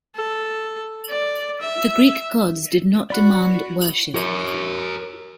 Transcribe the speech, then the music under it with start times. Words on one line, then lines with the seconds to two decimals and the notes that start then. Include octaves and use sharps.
The Greek gods did not demand worship.
0.15 A4
1.10 D5
1.61 E5
3.10 F#4 D5 B5 F#6
4.15 A#4 C#5